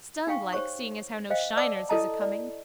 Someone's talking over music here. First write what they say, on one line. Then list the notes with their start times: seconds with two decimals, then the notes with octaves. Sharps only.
Stunned like, seeing as how no shiners is acoming.
0.27 D#4 G4 F5 G5 C#6
0.53 G4 C5 C#5 C#6
1.30 C5 D#5 F5 G5
1.57 D5 F#5 A5 D6 E6
1.89 E4 A4 D#5 A5 A#5
2.21 D5